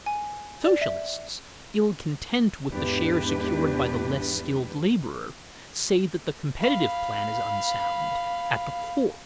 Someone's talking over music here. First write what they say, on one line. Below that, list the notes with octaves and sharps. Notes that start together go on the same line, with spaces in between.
Socialists, ill content with the share secured by the less skilled laborer, say that the competitive plan is unsound at the core.
G#5
D5
E5
E2 G#2 D4 G4 B4
F5 B5